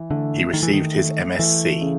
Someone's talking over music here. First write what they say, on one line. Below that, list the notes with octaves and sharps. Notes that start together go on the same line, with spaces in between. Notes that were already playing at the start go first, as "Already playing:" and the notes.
He received his M. Sc.
Already playing: E3
D3 A3
D#3 A3
E3
D#3
A3
E3 A3
C#3